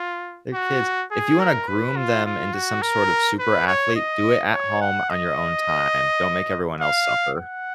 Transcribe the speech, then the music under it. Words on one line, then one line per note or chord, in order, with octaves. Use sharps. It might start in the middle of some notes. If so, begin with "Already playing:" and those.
They're kids. If you wanna groom them into some sort of super athlete, do it at home on your own time. Don't make everyone else suffer.
Already playing: F4
F#4
G#4
A#4
B4
F4
F4
F#4
A#4
B4
C#5
D#5
C#5
F#5
D#5
F5
F#5